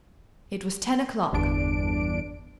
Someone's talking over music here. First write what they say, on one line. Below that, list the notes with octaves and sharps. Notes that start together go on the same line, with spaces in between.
It was ten o'clock.
G1 E2 D4 D7